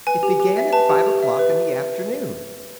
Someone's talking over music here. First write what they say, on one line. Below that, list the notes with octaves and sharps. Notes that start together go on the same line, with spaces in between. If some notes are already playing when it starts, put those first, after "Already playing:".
It began at five o'clock in the afternoon.
B4 G#5
G4
G4
E5
B4 A5
G4
G4
E5
B4